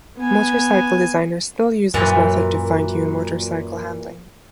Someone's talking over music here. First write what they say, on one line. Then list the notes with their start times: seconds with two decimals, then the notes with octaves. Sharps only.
Motorcycle designers still use this method to fine-tune motorcycle handling.
0.17 B3 G#5
1.94 F#2 A#2 E3